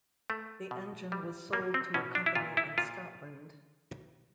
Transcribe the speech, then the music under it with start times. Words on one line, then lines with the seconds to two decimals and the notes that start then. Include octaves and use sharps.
The engine was sold to a company in Scotland.
0.30 A3
0.71 B2
1.12 G3
1.53 G3 A#3
1.74 C4
1.94 B2 C#4
2.15 D4
2.26 E4
2.35 A#2 F4
2.57 E4
2.78 A#2 F4